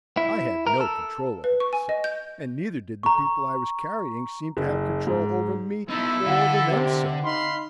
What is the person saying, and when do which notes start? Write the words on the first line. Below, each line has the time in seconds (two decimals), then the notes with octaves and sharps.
I had no control over myself, and neither did the people I was carrying seem to have control over me or over themselves.
0.17 E4
0.67 A#4
0.81 A4
1.44 B4
1.60 C#6
1.73 G#5
1.89 D#5
2.04 G6
3.03 A#5 C#6
4.57 F#1
5.07 G#2
5.90 B2 D#4 E4 A4
6.26 D3 F5 F#5
6.70 C3
7.24 D#4 F5 B5 C6